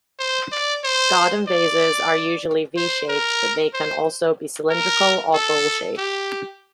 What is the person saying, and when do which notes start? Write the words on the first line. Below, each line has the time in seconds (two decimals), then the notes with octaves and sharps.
Garden vases are usually V-shaped but they can also be cylindrical or bowl-shaped.
0.19 C5
0.52 D5
0.84 C5
1.48 D5
2.77 C5
3.09 A#4
3.74 C5
4.70 A#4
5.34 A4
5.98 G4